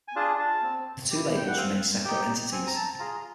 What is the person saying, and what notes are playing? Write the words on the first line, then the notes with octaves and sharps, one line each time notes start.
The two labels remain separate entities.
G#5
D4 F4 G#4 A5
A5
C4
E4 G4
G5
F#5
C4 F5
D#4 G4 G5
C4 G#5
A#5
A5
F4 G#4 A#5